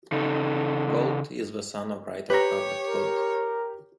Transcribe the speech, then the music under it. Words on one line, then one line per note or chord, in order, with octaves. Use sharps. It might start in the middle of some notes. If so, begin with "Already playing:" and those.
Gold is the son of writer Herbert Gold.
C#3 D#4 A4
G4 B4 C#5 A#5
A#4